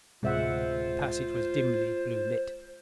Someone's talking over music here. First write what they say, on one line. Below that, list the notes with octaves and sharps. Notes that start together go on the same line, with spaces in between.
The passage was dimly blue lit.
D2 A2 C3 G#3 F4 C5 E5 F#5